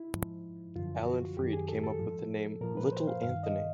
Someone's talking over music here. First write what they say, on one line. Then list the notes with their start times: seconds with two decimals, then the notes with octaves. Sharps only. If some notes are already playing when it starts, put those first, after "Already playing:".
Alan Freed came up with the name "Little Anthony".
Already playing: E4
0.14 G#2 F3
0.76 F#2 D3 F3 F4
1.06 F#4
1.37 F#2 D#3 G4
1.53 G#4
1.68 A4
1.84 A4
1.99 G#2 F3
2.61 A#2 F3 A#4
2.77 B4
2.92 C5
3.08 F5
3.23 G2 D#3 F5
3.43 D#5